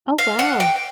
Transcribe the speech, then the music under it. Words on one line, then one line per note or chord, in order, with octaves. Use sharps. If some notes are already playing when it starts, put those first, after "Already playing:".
Oh, wow.
F5
F#5
G5